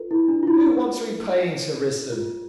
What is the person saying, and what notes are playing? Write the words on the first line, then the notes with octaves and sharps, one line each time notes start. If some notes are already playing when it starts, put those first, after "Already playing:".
Who wants repaying, Sir Risdon?
Already playing: F4 A4 B4
E4
D4
F4
E4
F4